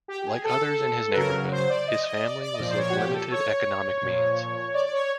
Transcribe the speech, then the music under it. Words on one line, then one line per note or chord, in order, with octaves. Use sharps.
Like others in his neighborhood, his family was of limited economic means.
G4
G4
G#4
A4
B4
C#3 F#3 A#4
C5
D5
D#5
D#5
D5
D5
D#5
A#2 F3 D5
C5
C#5
F#4
G4
A4
C#5
A#2 F3
D5
D5
C#5